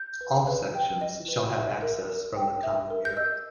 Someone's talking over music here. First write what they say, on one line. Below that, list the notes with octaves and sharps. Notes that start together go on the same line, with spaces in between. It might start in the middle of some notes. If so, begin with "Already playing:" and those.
All sections shall have access from the common area.
Already playing: G6
B4
B4
G5
D#5
B4
E5
A#4
A#4
G5
E5
A#4
G6
D#5 E6